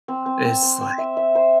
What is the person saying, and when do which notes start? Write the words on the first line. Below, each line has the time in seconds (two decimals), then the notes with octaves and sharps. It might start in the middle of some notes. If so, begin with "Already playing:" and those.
it's like
0.08 C4
0.26 C4
0.45 C4
0.63 C4
0.81 C4
0.98 E5
1.17 E5
1.35 C5